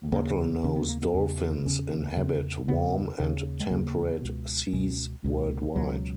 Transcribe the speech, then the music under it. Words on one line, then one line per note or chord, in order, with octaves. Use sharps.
Bottlenose dolphins inhabit warm and temperate seas worldwide.
D#2 C#3 A#3
D#2 C#3 C#4
B3
A#3
B3
E2 C#3
E2 C#3 C#4
E2 C#3
E2 C#3 B3
D#2 C#3
G#3
D#2 C#3 A#3
C#2 B2
C#2 B2 C#4
C#2 B2
C#2 B2 F#3